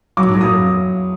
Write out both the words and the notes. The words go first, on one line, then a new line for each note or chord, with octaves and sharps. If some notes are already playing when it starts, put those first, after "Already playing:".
Yeah, man.
F#3 D6
F#3
D#6